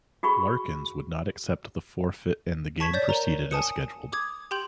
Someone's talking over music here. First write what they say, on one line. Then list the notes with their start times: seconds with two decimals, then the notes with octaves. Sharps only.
Larkins would not accept the forfeit and the game proceeded as scheduled.
0.23 F#4 G#4 B5 C#6
2.80 A5 C#6 G#6 B6 E7
2.94 C#5 D5 G6 A6
3.09 A#4 C#5 A#5
3.51 G#5 A5 D#6 C#7
4.13 D6 D#6 G#6
4.51 G4 G5 C6 G6 F#7